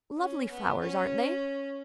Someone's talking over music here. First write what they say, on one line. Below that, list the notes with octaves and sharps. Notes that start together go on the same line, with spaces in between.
Lovely flowers, aren't they?
C#4
B3
C#4